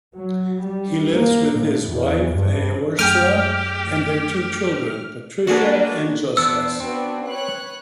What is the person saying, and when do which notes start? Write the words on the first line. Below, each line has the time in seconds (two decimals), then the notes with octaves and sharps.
He lives with his wife, Aorsra, and their two children, Patricia and Jostas.
0.17 F#3
0.62 G3
1.15 A#3
1.59 A2
1.90 E2
2.34 G2
2.99 F#2 A3 G4 G#4 G5 F6 G6 D7
5.47 A#3 D4 F#4 G#4 A4 B4
6.37 E2 B3 D4 C5 E6
6.80 B3 C4 D4 F#4
7.27 B4 C#5 F#6